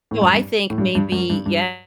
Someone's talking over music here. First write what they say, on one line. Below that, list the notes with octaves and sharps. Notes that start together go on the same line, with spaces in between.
So I think maybe Yeah,
A2
F#2
G2
A2
G2
G2
F#2
G2
G2